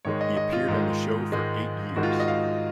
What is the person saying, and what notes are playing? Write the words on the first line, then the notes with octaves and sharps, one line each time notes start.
He appeared on the show for eight years.
G#2 D#3 G#3 C#5
D#5
D#5
F4
G#2 D#3 G#3
G#2 D#3 G#3
G#2 D#3 G#3 F#4
F4
F#4
D#5
F5